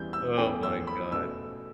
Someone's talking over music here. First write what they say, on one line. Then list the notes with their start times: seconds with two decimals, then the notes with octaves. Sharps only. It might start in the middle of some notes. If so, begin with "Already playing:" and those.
Oh my god.
Already playing: E2 E3 G3 G6
0.13 E6
0.38 E2 E3 A3 G5
0.63 E6
0.87 B5
1.12 B2 A3 E6